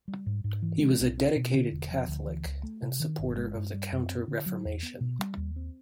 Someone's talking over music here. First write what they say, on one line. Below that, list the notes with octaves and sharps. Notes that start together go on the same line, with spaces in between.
He was a dedicated Catholic and supporter of the Counter-Reformation.
G3
G#2
G#2
E3
G#3
B1
C4
B2
D3
E1
F3
D2
E3
C#2
A3
C3
D#3
G1
G#3
G2
G3
F#2
C4
D3
F#3
E2
B3
B2
G3
D#2
C4